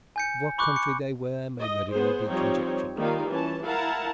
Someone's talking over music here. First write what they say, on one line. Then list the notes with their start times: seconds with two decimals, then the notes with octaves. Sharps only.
Of what country they were may readily be conjectured.
0.16 G#5 G6 C#7
0.58 B5 C#6 D6 F#6
0.76 C#7
1.57 D#5
1.93 B3 G#4 C5
2.29 F3 G3 C4 D#4 C#5
2.97 D#3 G3 A#3 D#4 F4 F5
3.29 E3 C#4 A5
3.65 E4 A#4 F5 F#5 A5 A#5